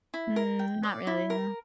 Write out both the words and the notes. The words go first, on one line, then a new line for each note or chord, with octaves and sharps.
Mm, not really, yeah.
E4
A#4
G5
D5
E4
A#4